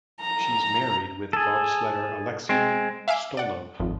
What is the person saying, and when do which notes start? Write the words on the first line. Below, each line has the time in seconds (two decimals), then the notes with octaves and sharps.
She's married with bobsledder Alexey Stulnev.
0.21 A#5
1.33 G#4 A4
2.49 G#3 C4
3.08 E5 F5 G#5 D6 E6
3.37 D5 F#5
3.80 G#1 F2